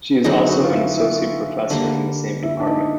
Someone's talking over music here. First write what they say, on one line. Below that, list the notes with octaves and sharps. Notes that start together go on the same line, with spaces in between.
She is also an Associate Professor in the same department.
D3 F#3 B3 D#4 G#4
F#4
F4
E4
E4
D3 G3 A#3
E4
D4
D#4